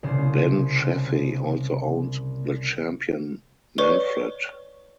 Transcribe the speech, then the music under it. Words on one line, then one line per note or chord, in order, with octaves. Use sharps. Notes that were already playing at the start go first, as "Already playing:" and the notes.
Ben Chaffey also owned the champion Manfred.
C2 C#3 C5
B4 C#5 D5 C#6